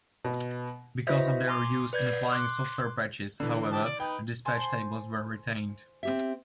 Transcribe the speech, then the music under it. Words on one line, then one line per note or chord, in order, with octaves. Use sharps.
Because of their use in applying software patches, however, the dispatch tables were retained.
B2
E4 F#4 B4 C5 D#5 E5
G#5 A#5 C6 D6
B4 D5 G6 G#6
C6 D6 F#6
D3 E3
G4 A5
D5
D#4 B4 G5
C5 G#5 A5
C4 G4 E5